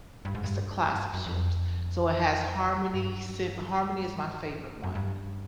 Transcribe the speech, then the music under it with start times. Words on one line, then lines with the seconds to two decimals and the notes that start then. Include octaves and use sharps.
It's the class of ships, so, it has Harmony, Sym Harmony is my favorite one.
0.25 G2
0.35 G#2
0.44 G2
1.13 F#2
1.26 F2
2.94 G2
4.83 F#2
4.95 G2